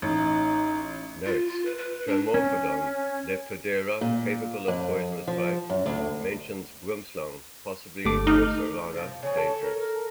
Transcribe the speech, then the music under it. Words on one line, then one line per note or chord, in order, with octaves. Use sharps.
Notes: "Trimorphodon", "Leptodeira" capable of poisonous bites; mentions boomslang, possibly mussurana, dangerous.
A1 D#4
F4
F4
B4
B4
D4
C#4
A#2
F2
F3
F#2
D2
G1 A3 G4 D6
D#4 F6
C3 F3
C#3 F3 G#4 C#5
A4
A#4
A#4